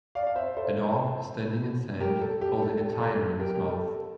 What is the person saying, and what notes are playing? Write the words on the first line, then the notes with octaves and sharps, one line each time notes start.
A dog standing in sand, holding a tire in his mouth.
D5 F5
F5
C5 E5
A4 C5
G4 A#4
A4
G4
A4
A4
A4
A4
A4
G4 A#4
G4 A#4
A4
A4